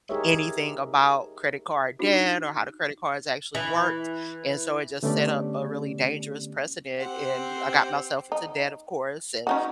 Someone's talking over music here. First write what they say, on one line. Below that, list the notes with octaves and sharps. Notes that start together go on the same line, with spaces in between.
anything about credit card debt or how the credit cards actually worked and so it just set up a really dangerous precedent and I got myself into debt of course, and
D#4 G4 G#4 A#4 C#5 E5
D4 D#4 F#4
E3
D3 A3 B3 C#4 G4 D5
C4 G4 C5 F#5
D#4
C#4 D#4 F#4